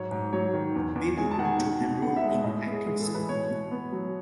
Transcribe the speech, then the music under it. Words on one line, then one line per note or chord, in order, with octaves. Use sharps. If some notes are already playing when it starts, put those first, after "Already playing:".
Bill to enroll in acting school.
Already playing: G#2 F#3 C#5
G#2
F#3 C#5
D#3
E2
E2
G#3 G#5
A5
D#3 F#5
G#5
B2 F#5
B2
B3 F#5
E5
G#3
E5
A2 D#5
B3
G#4
G#3 G#4
A4
E3
B4
B2 C#5
B2
B3
F#3